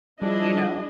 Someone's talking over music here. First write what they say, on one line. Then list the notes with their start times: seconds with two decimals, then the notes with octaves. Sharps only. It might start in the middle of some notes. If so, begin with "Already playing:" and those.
you know.
0.22 F3 G3 D4 E4 G#4 D#5